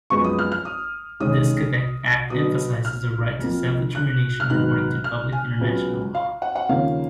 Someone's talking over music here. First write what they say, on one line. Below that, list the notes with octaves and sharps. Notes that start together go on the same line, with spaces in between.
This Quebec act emphasizes the right to self-determination according to public international law.
F#2 F3 G#3 B3 C#6
D#6
F6
F6
D#6
D#2 D#3 G#3 C#4 D#6
B2 F#3 B3 D#6
F6
F2 F3 A#3
F#6
F6
G#2 D#3 F#3 B3 F#6
F6
G#5
C#2 C#3 F#3 B3
F5
F#5
F#5
D#2 C#3 F3 A#3 C#4 F5